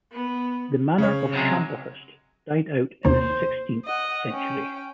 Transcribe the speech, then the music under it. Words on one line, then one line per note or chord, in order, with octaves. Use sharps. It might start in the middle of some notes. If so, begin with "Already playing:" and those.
The Manor of Shamblehurst died out in the sixteenth century.
B3
C#3 C#5
C3 F#3 G#3
D#2 C3 A#3 C5
D#5 F#5
C#4 G5